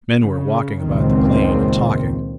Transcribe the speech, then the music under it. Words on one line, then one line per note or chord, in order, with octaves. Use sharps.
Men were walking about the plain and talking.
C#3
C#2 A#2 D#3 C4